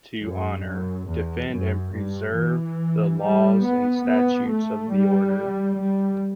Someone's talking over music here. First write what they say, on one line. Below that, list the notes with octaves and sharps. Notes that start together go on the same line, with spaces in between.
To honour, defend and preserve the laws and statutes of the Order?
F#2
F#2
E2
F#2
G2
E3
G3
B3
B3
A3
G3
G3